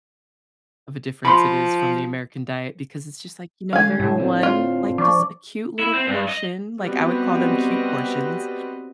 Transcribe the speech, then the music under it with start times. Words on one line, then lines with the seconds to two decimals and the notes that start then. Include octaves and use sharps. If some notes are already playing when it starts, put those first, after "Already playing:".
of a difference it is from the American diet, because it's just, like, you know, very one like, just a cute little portion, like, I would call them cute portions,
1.25 F3 B5 C6
3.73 D3 G#3 C#4 F5 G#5
4.00 C#2 A2 D3
4.18 D3 C4 D4
4.43 F4
4.98 F3 D4 C#6 D6
5.80 E4
5.94 C4
6.08 G2
6.28 D#5
6.80 G3 B3 C4 F#4 B4 D#5